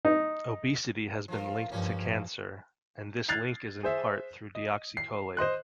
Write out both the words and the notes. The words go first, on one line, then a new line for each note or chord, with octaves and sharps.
Obesity has been linked to cancer, and this link is in part through deoxycholate.
D#4
F3 F4 A#4
G2 F3 A#3 C#4
F6 F#6 G#6 A6 C7 F7
G#4 C5 E5
D#5
C7
C5 D#5 C6 F#6